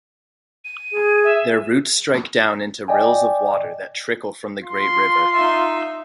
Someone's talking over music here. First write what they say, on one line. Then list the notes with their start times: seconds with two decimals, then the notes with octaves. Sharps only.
Their roots strike down into rills of water that trickle from the great river.
0.64 D#7
0.92 G#4
1.24 E5
2.88 D5 D#5 G5 G#5
4.64 F4 C6
5.33 D#4 E5